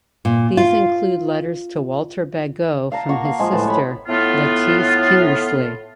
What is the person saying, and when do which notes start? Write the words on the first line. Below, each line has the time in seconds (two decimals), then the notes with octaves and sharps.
These include letters to Walter Bagot from his sister Lettice Kinnersley.
0.25 A#2
0.57 F4
2.92 F5 A5 A#5
3.09 A#3 F#4 C#6
3.25 F5
3.39 F3 G#3
3.52 A2 B4 A5
3.67 C#5 B5
4.08 A2 B3 F4